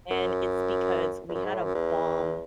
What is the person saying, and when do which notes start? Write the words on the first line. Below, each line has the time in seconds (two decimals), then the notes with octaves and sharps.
And it's because we had a bomb
0.11 F#2
1.29 E2
1.34 F#2
1.45 G#2
1.55 A2
1.65 F#2
1.75 E2